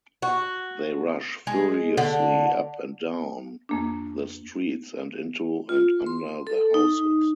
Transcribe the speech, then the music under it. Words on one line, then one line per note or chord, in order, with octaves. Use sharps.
They rush furiously up and down the streets and into and under the houses.
F#4
G#3
D3
F2 A#3 D4
F4
C6
A4
D#4